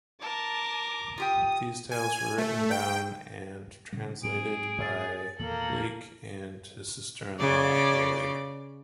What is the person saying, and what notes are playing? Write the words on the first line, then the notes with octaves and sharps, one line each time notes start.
These tales were written down and translated by Bleek and his sister-in-law Lloyd.
A#4 A5 D6
F4 G4 G5 D#6
G#5
A3
G5
A#2 C#3 G3
G#2 F#3 C4 G#4 D7
A6
E2 A#2 D#3 A#3 A4 F#7
C#3 D5